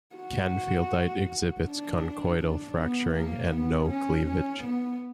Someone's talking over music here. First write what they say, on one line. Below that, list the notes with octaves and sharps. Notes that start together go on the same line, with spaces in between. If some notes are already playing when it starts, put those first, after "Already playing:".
Canfieldite exhibits conchoidal fracturing and no cleavage.
F#4
D4
D4
B3
A#3
B3
C#4
C#4
B3